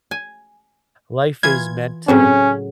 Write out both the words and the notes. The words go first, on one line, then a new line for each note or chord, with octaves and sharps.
life is meant to,
G#5
E3 F4 G#6
A2 C#3 F#3 C4 C#4